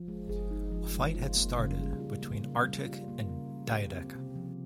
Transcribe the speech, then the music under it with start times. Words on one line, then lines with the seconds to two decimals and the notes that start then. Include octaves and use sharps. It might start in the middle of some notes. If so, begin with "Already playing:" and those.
A fight had started between Artich and Diedek.
Already playing: F3
0.08 G#3
0.29 G#4
0.51 D#4
0.72 F3
0.94 G#3
1.15 F4
1.36 A#3
1.58 C#3
1.79 G3
2.00 F4
2.22 A#3
2.43 C#3
2.64 G3
2.86 F4
3.08 A#3
3.29 C#3
3.50 G3
3.72 G4
3.93 C4
4.15 C3
4.36 F3